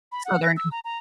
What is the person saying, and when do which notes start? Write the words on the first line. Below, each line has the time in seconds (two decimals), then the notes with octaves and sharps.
Southern C
0.12 B5
0.25 F#5
0.43 A#6
0.57 E6
0.72 A#5
0.85 A#5